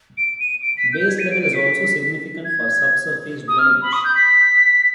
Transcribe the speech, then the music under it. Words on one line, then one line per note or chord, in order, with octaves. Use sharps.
Base level is also significant for subsurface drainage.
D7
D#7
D7
B6
G6
G#6
D#7
D7
D7
B6
G#6
D#6
F6
B5
D#6
G6
B6